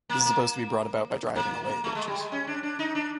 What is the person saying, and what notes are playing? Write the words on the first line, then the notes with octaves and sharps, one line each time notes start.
This is supposed to be brought about by driving away the witches.
A#3
A#3
A#3
A3
G#3
G3
G#3
C#4
D4
D4
D#4
D4